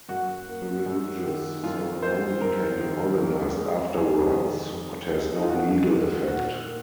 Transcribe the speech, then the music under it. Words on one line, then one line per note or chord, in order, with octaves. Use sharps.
A religious ceremony can be organised afterwards, but has no legal effect.
F#2 F#4
A#3
F#2
D#3
F#2 F4
A#3 C5
F#2 A#4
D#3
F2
G#3
F2 G#4
D#3
F2
G#3
D#4
F4
F2 F#4
D#3
A#2 F#4
A#3